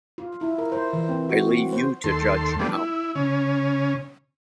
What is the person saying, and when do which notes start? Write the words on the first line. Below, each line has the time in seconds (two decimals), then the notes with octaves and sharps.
I leave you to judge now!
0.18 F4
0.41 E4
0.58 A#4
0.72 C5
0.93 E3
1.09 C4
1.29 F#4
1.48 C4
1.73 C5
2.04 D#2 A4 C6
2.59 F3 G3 A3 B3 D4
2.73 E4
3.15 C#3 C#4